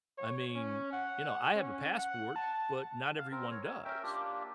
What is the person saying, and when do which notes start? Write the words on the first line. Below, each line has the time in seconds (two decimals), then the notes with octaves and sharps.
I mean, you know, I have a passport, but not everyone does.
0.18 C#5
0.55 C#4
0.93 F#5
1.55 C#4
1.98 F#5
2.36 A5
3.17 F5
3.31 C4 A#4
3.51 C#5
3.85 C#4 A#4 E5 G5
4.03 A#3 D4 F4 G4